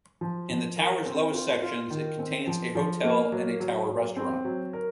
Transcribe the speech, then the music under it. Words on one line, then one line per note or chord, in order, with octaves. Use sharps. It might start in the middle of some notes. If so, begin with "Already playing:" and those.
In the Tower's lowest sections it contains a hotel and a tower restaurant.
F3
F3
A#4
C4
F4
F4
D#3
C4
F3
F3
A#3
F#3
F#3
F#3
C4
F#3
A#4